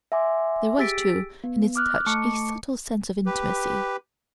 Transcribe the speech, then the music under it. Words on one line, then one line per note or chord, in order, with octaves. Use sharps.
There was, too, in its touch a subtle sense of intimacy.
E5 F#5 G#5 C6 D6
G4 G#4 E6 A6 B6 D7
B3
D6 F6 F#6
A3 A5 C#6 D6 C#7
G4 B4